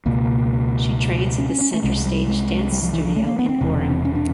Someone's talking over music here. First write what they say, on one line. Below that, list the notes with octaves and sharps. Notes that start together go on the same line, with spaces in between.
She trains at the Center Stage dance studio in Orem.
C#2 B2 A#3
C#4
C#4
C#4
A3
C2 C3 G#3
G3
G#3
G3
F3
E3
F3
A3
A#3
B3
C4
E1 E2 C3
C#4
D4